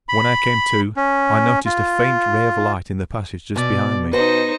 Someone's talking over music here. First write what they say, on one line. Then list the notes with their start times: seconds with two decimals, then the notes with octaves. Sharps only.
When I came to I noticed a faint ray of light in the passage just behind me.
0.09 B5
0.97 C#4
1.66 F4
3.56 B2 D5
4.13 B2 B3 D#4 B4 C5 A#6 C#7